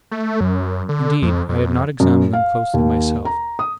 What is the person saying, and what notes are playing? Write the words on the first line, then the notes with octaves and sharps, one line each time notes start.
Indeed, I had not examined them closely myself.
A3
F#2
D3
F2
F2
F#2
F5
D#2
A#5
D#6